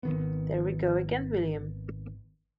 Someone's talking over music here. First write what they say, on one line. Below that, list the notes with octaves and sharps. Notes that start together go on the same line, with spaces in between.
There we go again, William!
G#1 D#3 B3